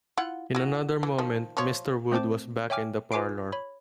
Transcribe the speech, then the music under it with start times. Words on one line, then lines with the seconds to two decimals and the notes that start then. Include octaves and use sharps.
In another moment Mr. Wood was back in the parlour.
0.17 E4 F4 F#5
0.55 E4 F#4
1.03 E3
1.18 D#3 F3
1.57 F3 C#5
2.12 A3 C4 C5 A5 D6
2.70 C#5 E5 G5 G#5 D6 F6
3.12 F4 B4 G#5 D6 C7 D7
3.52 C#5 B5